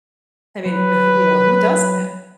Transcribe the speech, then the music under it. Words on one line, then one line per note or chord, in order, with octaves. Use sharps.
I mean, e wh you know, who does that?
F#3 B4